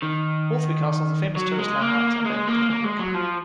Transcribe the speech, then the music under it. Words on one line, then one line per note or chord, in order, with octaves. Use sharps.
All three castles are famous tourist landmarks and open to the public.
D#3
F#3
G#3
A#3
G#3
A#3
A#3
G#3
F#3
F3